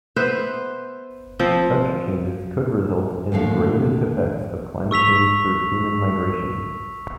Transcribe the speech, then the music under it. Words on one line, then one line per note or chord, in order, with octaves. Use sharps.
Such changes could result in the gravest effects of climate change through human migration.
B3 B4 C5 E5
F3 C4
D#2 A2 D3 F5
C#6 E6 B6 F7